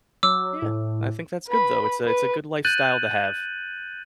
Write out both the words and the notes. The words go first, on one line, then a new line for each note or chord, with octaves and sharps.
Yeah. I think that's good, though, it's a it's a good lifestyle to have.
F#3 D6 E6
A2
B4 B5
B4
F#6 G6 A6 D#7 F#7